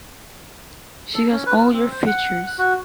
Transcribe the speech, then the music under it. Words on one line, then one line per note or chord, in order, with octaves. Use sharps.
She has all your features.
A4
C#4
B4
F4
C4
C5
F#5
F#6
F#4